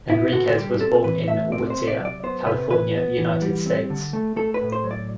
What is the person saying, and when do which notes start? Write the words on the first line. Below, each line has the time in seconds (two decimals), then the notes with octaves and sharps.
Enriquez was born in Whittier, California, United States.
0.10 B3 E4
0.33 D3 F#4
0.57 G3 G4
0.80 C4 A4
1.04 E3 B4
1.28 A3 E5
1.52 C4 D5
1.70 C5
1.76 C3
1.87 D5
2.00 F#3 D5
2.23 B3 C5
2.46 C3 B4
2.70 E3 B4
2.94 B3
3.18 E3
3.42 G3
3.66 C4
3.90 D3
4.13 A3
4.36 A3 A4
4.54 B4
4.61 A2
4.72 C5
4.84 F#3
4.91 D5